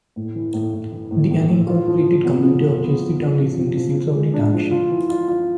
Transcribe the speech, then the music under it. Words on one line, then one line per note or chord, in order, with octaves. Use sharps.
The unincorporated community of Jerseytown is in the center of the township.
A2
E3
A2
A2
E3
A2
A2
A2
F4
F3
F4
B3
F3
F4
B3
F3
F3
F3
F3
F3
F3
G#3
D4
F3
F4
E3
F4
F4